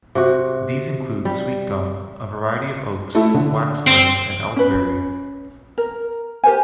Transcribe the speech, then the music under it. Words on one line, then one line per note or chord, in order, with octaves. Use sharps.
These include sweetgum, a variety of oaks, wax myrtle, and elderberry.
C3 F#4
G3
A3 E4
D3
C4
C#4 B4
A#4
G4 A#4 C5 G#5